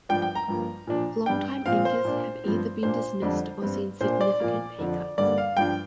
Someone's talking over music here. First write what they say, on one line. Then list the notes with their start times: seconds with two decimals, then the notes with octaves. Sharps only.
Longtime anchors have either been dismissed or seen significant pay cuts.
0.09 G2 F3 D4 G5
0.22 G5
0.35 A#5
0.48 G2 F3 A#3
0.87 A#2 F3 D4
1.26 G2 G3 D4 G5
1.66 A#2 F3 C4 F5
1.85 C5
2.05 A#2 A#3 D4
2.44 G2 F3 C4
2.83 A#2 A#3 D4 C5
3.22 F2 D3 G3 D4
3.62 G2 G3 C4
4.01 A#2 A#3 D4 C5
4.21 D5
4.40 A#2 F3 A#3
4.78 F2 D3 F3
5.18 G2 D3 G3 A#3 D5
5.38 F5
5.57 G2 F3 D4 G5